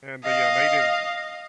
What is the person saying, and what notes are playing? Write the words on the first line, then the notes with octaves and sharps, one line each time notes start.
and the, uh, Native
D#5 F5